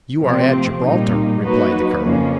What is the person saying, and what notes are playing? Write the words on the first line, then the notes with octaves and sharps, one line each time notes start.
"You are at Gibraltar," replied the colonel.
C3 F3 A3 C4
A#2 G3 A#3 D#4
F#3 A#3 D#4 F#4 B4
F2 C#3 F3 A#3 C#4